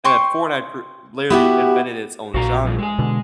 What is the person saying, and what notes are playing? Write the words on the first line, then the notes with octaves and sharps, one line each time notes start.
and then Fortnite pr literally invented its own genre,
G5 C6 C#6
B3 E4 F#4 G4 B5 D#6
A#1 A#2 F#4 F5 A#5
F2 G#2 F3
G#3 G#4
B2 D3